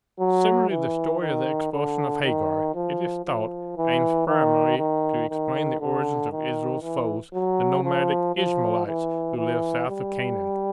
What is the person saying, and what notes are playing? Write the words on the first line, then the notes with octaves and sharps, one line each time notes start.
Similarly the story of the expulsion of Hagar, it is thought, aims primarily to explain the origin of Israel's foes, the nomadic Ishmaelites, who lived south of Canaan.
F#3
E3
D#3
D3
D#3
F3
F3
E3
D#3
D#3
D#3
D3
D#3
E3
F#3
F3
F3
E3
E3
G3